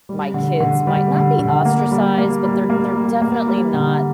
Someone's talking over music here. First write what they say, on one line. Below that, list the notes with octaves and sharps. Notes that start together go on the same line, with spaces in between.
my kids might not be ostracized, but they're they're definitely not,
G3
D3
D3
G3
D3
D3
A#3
G3
A#3
G3
A#3
G3
A#3
G3
D3